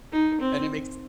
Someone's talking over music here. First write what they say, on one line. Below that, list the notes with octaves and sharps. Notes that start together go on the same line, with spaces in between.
And it makes
D#4
C4